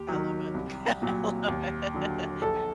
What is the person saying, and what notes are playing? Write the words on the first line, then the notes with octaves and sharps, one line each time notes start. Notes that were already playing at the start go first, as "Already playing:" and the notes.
I love it. I love it.
Already playing: D#2 G4
D#3 F#3
C2
A#2 F#3
D#2
D3 F#3
A#1 A4